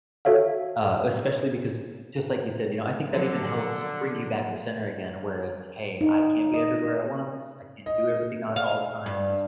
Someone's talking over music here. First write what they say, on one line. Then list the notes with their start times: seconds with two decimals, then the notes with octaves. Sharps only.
Uh, especially because just like you said, you know, I think that even helps bring you back to center again, where it's, "Hey, I can't be everywhere at once, I can't do everything at all the times."
0.25 F#4 A4 C#5 E5 F5
3.13 D3 F3 F#3
6.01 D#4
6.54 D#5
7.86 D#5
8.56 F5
9.06 G2